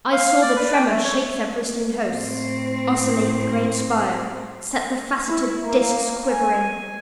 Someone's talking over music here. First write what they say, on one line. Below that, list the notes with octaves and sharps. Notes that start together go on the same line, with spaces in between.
I saw the tremor shake their bristling hosts, oscillate the great spire, set the faceted disks quivering.
F5
F5
D5
B4
G5
A3
C#5
A2 C4
E4
A#3
G#5